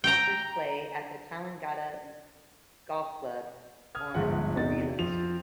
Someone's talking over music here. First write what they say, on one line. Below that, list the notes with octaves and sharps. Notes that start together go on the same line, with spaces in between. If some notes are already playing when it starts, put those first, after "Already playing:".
Golfers play at the Tallangatta Golf Club on Coorilla Street.
G5 A#5
D#6 F6 G#6
G1 D2 G#2 F3 G#3 F#5
E2 C3 D#4 F#4 G4 A6
F2 F3 C4 F7